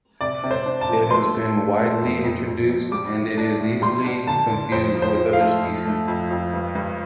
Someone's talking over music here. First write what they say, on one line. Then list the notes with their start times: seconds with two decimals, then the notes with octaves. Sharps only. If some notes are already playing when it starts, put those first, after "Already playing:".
It has been widely introduced and it is easily confused with other species.
0.21 C3 D5
0.43 C3
0.51 C5
0.66 D4
0.81 A5
0.89 F3
1.11 A3 C6
1.34 A3
1.57 A3
1.79 A3
2.02 F2
2.24 F2
2.47 F2
2.69 F2
2.92 G3 D6
3.15 A2
3.38 D4
3.60 A2
3.82 G3 C6
4.04 D4
4.27 D3 A5
4.50 D3
4.72 F2 C5
4.95 F3
5.02 C5
5.17 F3
5.33 F5
5.41 A3
5.63 F2
5.85 A3
6.08 F2
6.31 F2
6.54 G2
6.75 G2